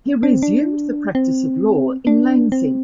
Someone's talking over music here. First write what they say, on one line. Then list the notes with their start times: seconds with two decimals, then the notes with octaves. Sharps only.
He resumed the practice of law in Lansing.
0.23 D4
0.33 C4
0.43 D4
1.15 C4
2.07 D4
2.52 C4